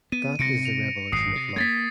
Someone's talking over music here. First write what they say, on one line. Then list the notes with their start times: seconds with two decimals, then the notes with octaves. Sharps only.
That is the revolution of love.
0.12 B3 D#7
0.39 C3 C4 A#6 C#7 D7
0.65 F7
1.12 G#1 F#2 D#6 C7
1.36 C3
1.56 G#3 A#3 G#6 A6 B6